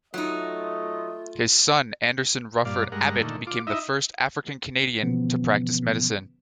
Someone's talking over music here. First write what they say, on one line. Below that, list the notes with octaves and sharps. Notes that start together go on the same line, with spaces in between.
His son Anderson Ruffin Abbott became the first African Canadian to practice medicine.
F#3 A3 D#4 F4 D#5
G2 A#2 D5 F5
G2 G#3 A#4 F#5
A#2 D3 D#3 A3
F4 D6
D#4 E4 D#5 E5
B2 D3 E3 F3 B3 C#4